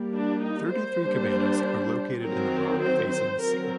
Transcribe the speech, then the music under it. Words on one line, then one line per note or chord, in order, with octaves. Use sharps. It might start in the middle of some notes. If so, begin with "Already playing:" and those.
Thirty-three cabanas are located in the rock facing the sea.
Already playing: G3 A#3
D4
D#4
C5
G3 A#3 D4
D#3 F#3 C4 A#4
C5
C5
F#3 C4 A#4